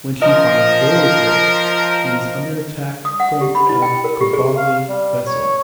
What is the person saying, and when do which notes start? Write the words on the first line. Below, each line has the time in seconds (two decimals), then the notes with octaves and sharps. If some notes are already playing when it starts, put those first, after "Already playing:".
When she finds "Voyager", she is under attack from a Kobali vessel.
0.22 F3 A#4 D#5
3.05 D#6
3.20 F#5
3.41 G4
3.55 B5
3.69 E4
3.82 G5
4.04 A#4
4.21 G4
4.33 G#4
4.57 F5
4.89 G3
5.26 C#5